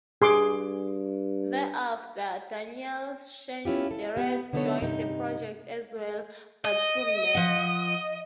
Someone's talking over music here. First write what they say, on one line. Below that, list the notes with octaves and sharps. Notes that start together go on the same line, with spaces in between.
Thereafter Daniel Schneidereit joined the project as well, but soon left.
G2 G#4 C6 D6
C#4 E4 F4 G4
A4
B3 G4
D3 F#3 B3 D#4 A4 C#5
G2 C3 D#4
D#5
F3 F#5